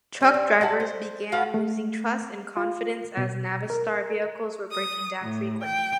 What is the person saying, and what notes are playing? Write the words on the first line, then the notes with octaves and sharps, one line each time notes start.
Truck drivers began losing trust and confidence as Navistar vehicles were breaking down frequently.
G3 C4 C#4
C4
G3 F#4 A5
C5
F#4 B4 F5 F#5
A3
F4
B2
A#4
D#6
A2
G5